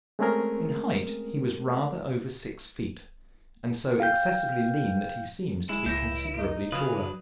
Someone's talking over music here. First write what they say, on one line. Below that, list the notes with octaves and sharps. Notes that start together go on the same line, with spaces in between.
In height he was rather over six feet, and so excessively lean that he seemed to be considerably taller.
G#3 A3 C4 C#4 G#4 A#4
F5 G5 G6
G#3 E4
C#2 E4 G6 A#6
D#4
C#3 F#3 F4 B4 D#6
D4